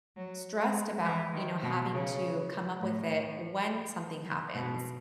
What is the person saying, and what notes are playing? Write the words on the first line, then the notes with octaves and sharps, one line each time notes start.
stressed about, you know, having to come up with it when something happens.
F#3
G#3
E3
D#3
B2
C#3
A2
B2